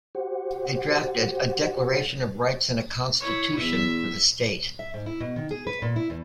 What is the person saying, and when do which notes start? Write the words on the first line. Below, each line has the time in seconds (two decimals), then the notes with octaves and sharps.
They drafted a declaration of rights and a constitution for the state.
0.15 F#4 G4 C5 F#5
3.20 E4 C#5
3.59 E2 B3 E5
4.79 E5
4.94 G#2
5.06 E4
5.20 B2
5.36 D#3
5.51 G#4
5.67 B4
5.82 A#2
5.96 E4
6.10 E2